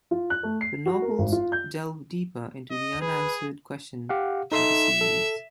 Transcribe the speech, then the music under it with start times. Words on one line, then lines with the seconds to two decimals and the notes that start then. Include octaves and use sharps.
The novels delve deeper into the unanswered questions of the series.
0.11 F4
0.30 F#6
0.43 A3
0.61 C7
0.86 F#4
1.02 A#4
1.18 G#1
1.32 F4
1.52 G6
2.70 D#5
3.01 G#4 B4
4.09 G4 F5 F#5
4.52 D#4 A4 E5 C6
5.01 A4